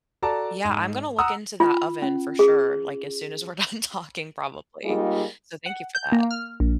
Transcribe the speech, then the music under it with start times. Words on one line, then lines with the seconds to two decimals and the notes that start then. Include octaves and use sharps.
Yeah, I'm gonna look into that oven for sure, like, as soon as we're done talking, probably, so thank you for that.
0.22 F#4 A4 D5 A5 A#5
0.65 G#2
1.18 F#5 A#5 D#6 E6
1.60 F4
2.02 C#4
2.39 G#4
4.84 G3 G#3 A#3 D#4 F4 G#4
5.66 F#5
5.95 G6
6.12 A#3
6.31 F6
6.60 A#1